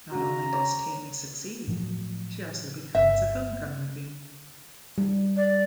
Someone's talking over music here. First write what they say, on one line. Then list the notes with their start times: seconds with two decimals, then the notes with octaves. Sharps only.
Not only does Tami succeed, she also becomes the homecoming queen.
0.11 C#3 F#4 A#5
0.53 C#5 D6
1.68 A2 F3 F#3
2.95 G1 E5
4.98 G3
5.37 D5